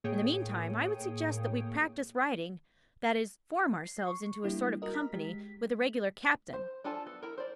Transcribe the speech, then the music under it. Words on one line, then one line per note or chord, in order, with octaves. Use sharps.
In the meantime, I would suggest that we practice riding--that is, form ourselves into a sort of company with a regular captain.
A2 A#3 G#4 C#5 G5 D#6
C7
C#6
G3 A#3 D4 E4 G4
F#4 A#4 D#5
A#5 F6 B6
G#3 G4 B6
C5
D4 F4 A4 G#5 A5
B3 A4
E4 A#4
C5 D5